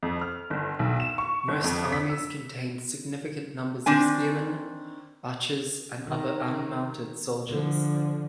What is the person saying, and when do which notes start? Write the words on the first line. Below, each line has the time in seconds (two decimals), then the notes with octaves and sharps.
Most armies contained significant numbers of spearmen, archers and other unmounted soldiers.
0.03 F2
0.21 F6
0.50 G1
0.79 B1
1.00 E7
1.18 C#6
1.48 G1
1.64 F2
1.92 B6
2.10 E6
3.86 D#3 C4 D4 G#5
6.06 D#3
7.47 D3 F3